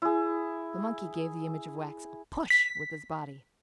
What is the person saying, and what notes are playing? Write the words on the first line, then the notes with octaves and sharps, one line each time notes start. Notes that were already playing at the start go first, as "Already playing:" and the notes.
The monkey gave the image of wax a push with his body.
E4 G#4
B6